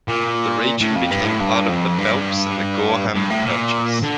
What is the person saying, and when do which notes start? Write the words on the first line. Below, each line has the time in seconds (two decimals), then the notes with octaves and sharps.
The region became part of the Phelps and Gorham Purchase.
0.08 A#2
0.81 A2
0.96 F2
1.11 G2
1.25 A2
1.40 G2
1.69 F2
1.98 G2
3.15 G2
3.30 A2
3.45 A#2
4.03 D3